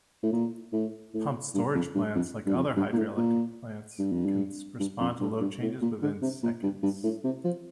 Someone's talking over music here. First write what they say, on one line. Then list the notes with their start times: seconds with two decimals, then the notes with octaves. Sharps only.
Pumped storage plants, like other hydroelectric plants, can respond to load changes within seconds.
0.23 A2
0.32 A#2
0.73 A2
1.14 A2
1.54 G2
1.74 F2
1.95 G2
2.15 F2
2.46 G2
2.56 F2
2.76 G2
2.93 A#2
2.97 A2
3.17 A#2
3.99 G2
4.12 F2
4.25 G2
4.80 G2
5.00 F2
5.20 G2
5.41 G2
5.61 A2
5.82 A#2
6.02 D3
6.22 C3
6.43 A#2
6.63 G2
6.83 G2
7.03 A2
7.24 C3
7.44 F3